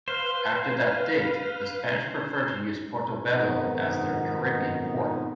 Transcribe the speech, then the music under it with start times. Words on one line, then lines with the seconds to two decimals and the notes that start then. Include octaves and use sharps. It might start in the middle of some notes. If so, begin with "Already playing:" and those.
After that date the Spanish preferred to use Portobelo as their Caribbean port.
0.08 B4 C5 F5
3.22 F2 G#2 B2 D#3 B3 D#4